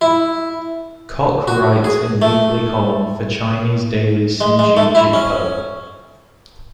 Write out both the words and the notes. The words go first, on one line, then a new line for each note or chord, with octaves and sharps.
Kok writes in weekly column for Chinese daily Sin Chew Jit Poh.
E4
F#4
G#4
A3
G#3
G#3
A3
E4
C#4